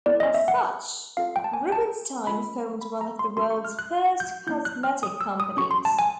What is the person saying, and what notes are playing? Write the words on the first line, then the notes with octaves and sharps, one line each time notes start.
As such, Rubinstein formed one of the world's first cosmetic companies.
B3 E4 A4 D5
D#5
E5
F#5
C4 F4 A4 F5
G5
A5
G#5
A5
C#4 F4 A4 B5
B5
A#5
C6
C#4 F#4 A4 C6
C#6
F6
F#6
G6
A#3 C#4 E4 G6
F#6
F6
D#6
E6
D#6
C#4 F#4 A4 C#6
C6
A5
G#5